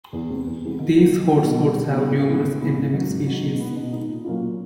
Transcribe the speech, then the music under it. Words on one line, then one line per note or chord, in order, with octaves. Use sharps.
These hotspots have numerous endemic species.
E2
C3 E3 G#3 B3
E2
C3 E3 G#3 B3
D#3
F#3 A#3 D#4
D#3
F#3 A#3 D#4
B2
G3 B3
B2
G3 B3
A2
E3 G#3 B3 E4
A2
E3 G#3 B3 E4
G#2
D#3 F#3
G#2
D#3 F#3
B2
G#3 B3 D#4
B2
G#3 B3 D#4
A#2
F#3 A#3 C#4 F4
A#2